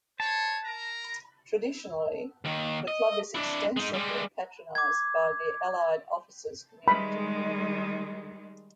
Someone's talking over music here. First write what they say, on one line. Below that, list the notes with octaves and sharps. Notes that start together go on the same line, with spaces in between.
Traditionally, the Club is extensively patronized by the allied officers community.
C5 C#5 A5
A#4 A#5
D#2 D#3
D#5
D4 E4
G#3 D#4
G3 G#3
D6 G#6
D#3 G3 G#3 B5